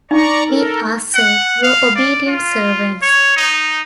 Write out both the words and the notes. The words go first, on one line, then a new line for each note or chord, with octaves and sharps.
We are, Sir, Your obedient servants.
D#4 D5 A#5 C#6
A4 A#4
F#5
F5
D5
F4
C#5
D#4